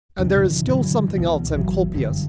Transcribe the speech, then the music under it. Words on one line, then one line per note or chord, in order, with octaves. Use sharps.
And there is still something else, Encolpius.
D#1 E2 C3 D4
B2 D3 D#3 F3
G2 D3 E3 F#3
C#2 B2 E3
G#1 E3 F#3
F#1 G2 D3